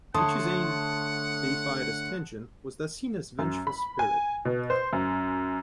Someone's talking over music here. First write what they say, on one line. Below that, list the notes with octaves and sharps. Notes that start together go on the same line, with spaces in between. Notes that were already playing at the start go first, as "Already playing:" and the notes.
Michizane, deified as Tenjin, was thus seen as a vengeful spirit.
D3 A3 C#5 F#5 A5 C6 D#6
F#2
B5
G#5
B2
C5
F#2